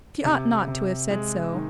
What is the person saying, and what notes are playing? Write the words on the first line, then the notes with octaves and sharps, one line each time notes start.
She ought not to have said so.
C3
C3
G#3
D#3